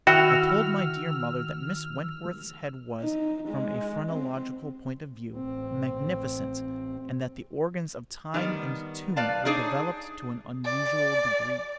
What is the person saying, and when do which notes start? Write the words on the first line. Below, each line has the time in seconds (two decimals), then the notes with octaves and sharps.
I told my dear mother that Miss Wentworth's head was, from a phrenological point of view, magnificent, and that the organs of time and tune were developed to an unusual degree.
0.07 D#3 E4 F#4 G5 E6 F6 F7
3.01 D#4
3.48 G#3
4.10 C4
5.35 A1 C4
8.34 D#3 G3 B3
9.16 B4 D5 F5 A5
9.45 D4 D#4 G#4 C#5 D5
10.65 D5